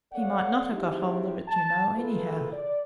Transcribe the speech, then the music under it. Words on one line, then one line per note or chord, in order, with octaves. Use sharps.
He might not have got hold of it, you know, anyhow.
B3 A4 C#5 D5 F5 F#5
G#2 G#3 C4 D#4 E4 G4
A5
A#3 E4 F4 G#4 A4 B4
D5